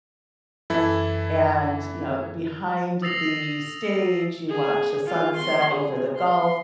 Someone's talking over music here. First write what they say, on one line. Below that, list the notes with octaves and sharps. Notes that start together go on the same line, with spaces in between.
And, you know, behind the stage, you watch the sunset over the Gulf,
F#2 E3 E4 A4
D#6 E6 A6 A#6 C7 F7
G#4
F4
C6
G#4
C6